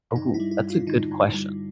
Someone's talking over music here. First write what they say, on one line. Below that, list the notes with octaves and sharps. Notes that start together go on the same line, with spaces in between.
Ooh, that's a good question.
G2 D#4
E4
G3
E4
G2
F4
D3 D#4
G2
G3